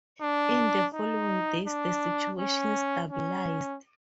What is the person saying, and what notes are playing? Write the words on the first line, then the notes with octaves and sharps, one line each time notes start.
In the following days the situation stabilized.
D4
D#4
D4
C#4
C#4